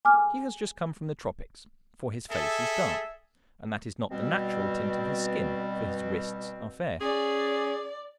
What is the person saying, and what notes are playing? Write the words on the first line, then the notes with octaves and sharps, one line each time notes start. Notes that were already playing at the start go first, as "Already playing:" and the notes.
He has just come from the tropics, for his face is dark, and that is not the natural tint of his skin, for his wrists are fair.
G#5 D6 F6
G#4 A4 E5
B2 G3 C4
C#4 G#4 D5